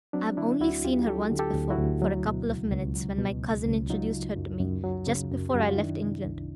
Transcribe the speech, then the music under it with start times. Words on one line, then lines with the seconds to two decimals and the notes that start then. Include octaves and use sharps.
I have only seen her once before, for a couple of minutes, when my cousin introduced her to me, just before I left England.
0.13 F#3 C4 D4
0.37 D3 D4 E4
0.60 D2 E4 F#4
0.84 D2 F4 G4
1.07 F#3 G4 A4
1.31 D3
1.39 G4 A4
1.54 D2
1.70 E4 F#4
1.78 D2
2.02 F#3
2.25 B2
2.49 C#2
2.73 C#2
2.95 F#3
3.19 B2
3.43 C#2
3.66 C#2
3.90 F#3 D#4 F4
4.14 C#3
4.36 F#2
4.60 F#2
4.84 F#3
5.07 C#3
5.31 F#2
5.50 G4
5.55 F#2
5.60 F#4
5.69 F4
5.78 D#3 D4 E4
6.01 C3
6.25 C2